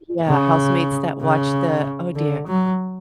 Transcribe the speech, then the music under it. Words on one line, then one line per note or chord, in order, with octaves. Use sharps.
yeah, housemates that watched the oh dear,
C#3
C#3
D3
F#3